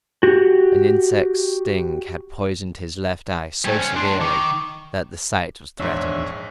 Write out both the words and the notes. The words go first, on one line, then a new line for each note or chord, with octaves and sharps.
An insect's sting had poisoned his left eye so severely that the sight was threatened.
F#4 G4
G3 A3 C5 G5 G#5
C#2 C#4
A2 D4 A5 C6
D#3 C#6 D6
A#1 E2 G#2 D4 C#5 E5